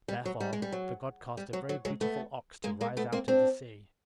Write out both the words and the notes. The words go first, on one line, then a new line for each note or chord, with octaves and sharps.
Therefore the god caused a very beautiful ox to rise out of the sea.
G3
F#3
G3
G#3
G3
F#3
G3
F#3
F#3
F#3 G#3
A3 B3
G#3 A#3
G#3 A#3
A3 B3
A#3 C4
C4 D4